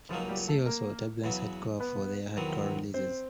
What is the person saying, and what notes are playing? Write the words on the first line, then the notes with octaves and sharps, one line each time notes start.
See also: Turbulence Hardcore for their Hardcore releases.
C#2 C#3 F3 F#3 A#3 D#4 F4
G3 G4
A3 A4
A#3 A#4
E2 C#3 F#3 B3
B3 B4
E2 C3 D#3 F#3 B3
C4 C5